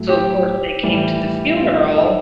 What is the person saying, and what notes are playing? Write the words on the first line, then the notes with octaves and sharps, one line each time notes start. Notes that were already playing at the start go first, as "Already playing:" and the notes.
so of course they came to the funeral
Already playing: A2 F#3
G4
A2 E3 G3
F4
A4